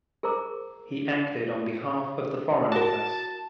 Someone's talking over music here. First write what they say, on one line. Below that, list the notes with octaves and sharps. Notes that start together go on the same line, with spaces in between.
He acted on behalf of the Foreign Office.
G#4 A#4 C5 A#5 D6
F#4 A#4 A5